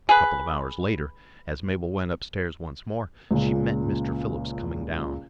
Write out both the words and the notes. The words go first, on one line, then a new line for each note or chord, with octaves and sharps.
A couple of hours later, as Mabel went upstairs once more, she met Mr. Phillips coming down.
G#4 B4
C#2 A#2 C#3